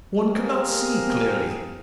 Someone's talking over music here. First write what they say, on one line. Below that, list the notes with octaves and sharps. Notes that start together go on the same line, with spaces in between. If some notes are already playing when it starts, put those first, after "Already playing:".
One cannot see clearly.
A#3 C4 G4 G#4 A#4